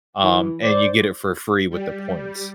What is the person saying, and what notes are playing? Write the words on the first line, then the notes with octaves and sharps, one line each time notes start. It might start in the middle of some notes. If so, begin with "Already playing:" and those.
um, and you get it for free with the points.
E3
C5 D5
G3